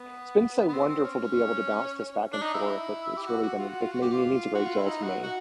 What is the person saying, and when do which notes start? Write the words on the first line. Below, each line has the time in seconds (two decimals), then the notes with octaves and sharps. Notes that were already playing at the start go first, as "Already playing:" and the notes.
It's been so wonderful to be able to bounce this back and forth, it's it's really been a it mean means a great deal to me.
Already playing: B3
0.68 B3
0.73 C4
0.89 C4
1.05 C#4
2.33 D4
2.42 D#4
2.54 E4
3.17 G4
3.28 F#4
3.43 F#4
3.59 F4
3.70 F#4
3.81 F4
3.92 F#4
4.02 G4
4.12 F4
4.55 F#4
4.65 F4
4.77 E4
4.86 D#4
5.02 F#4
5.23 F#4